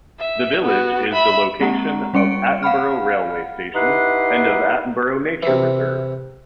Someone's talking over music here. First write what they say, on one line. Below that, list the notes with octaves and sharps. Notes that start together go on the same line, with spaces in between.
The village is the location of Attenborough railway station and of Attenborough Nature Reserve.
E5
B3 F#4
E5 B5
G#3 A#3 C4 G4 F#5 A#5
G3 C#4 C#6 C#7 D7
F5 F#5 B5 F6
D#4 E4 G4 B4 F#5 C6
C3 E3